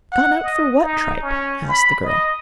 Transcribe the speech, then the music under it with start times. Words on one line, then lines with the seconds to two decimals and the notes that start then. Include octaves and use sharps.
"Gone out for what tripe?" asked the girl.
0.12 F#5
0.42 D#5
0.81 D#4
1.22 C#4
1.69 B5
2.04 D#5